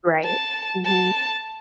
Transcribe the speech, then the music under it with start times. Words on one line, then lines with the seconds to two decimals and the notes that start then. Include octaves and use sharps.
Right. Mhm.
0.24 A5
0.85 A5